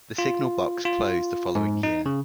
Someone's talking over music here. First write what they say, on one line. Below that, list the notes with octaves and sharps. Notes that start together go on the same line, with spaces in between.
The signal box closed the following year.
F4
F4
G#2
D#4
C#3